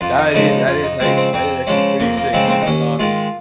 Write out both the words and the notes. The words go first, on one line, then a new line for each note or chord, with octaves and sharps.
That is that is a that is actually pretty sick, man, that's awesome,
F2 F4
D#4
C#3 F3 G#3 D#4
D#4
F2 F4
D#4
C#3 F3 G#3 C4
C4
F2 C4
C#3 F3 G#3 C#4
F2 A#3
A#3
C#3 F3 G#3 C4
A#3
C4
D#4
D#2 C#4
D#3 G#3 F4